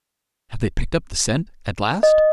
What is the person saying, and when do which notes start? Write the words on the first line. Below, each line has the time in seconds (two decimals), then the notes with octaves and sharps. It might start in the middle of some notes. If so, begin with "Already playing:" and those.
"Have they picked up the scent--at last?"
2.03 D#5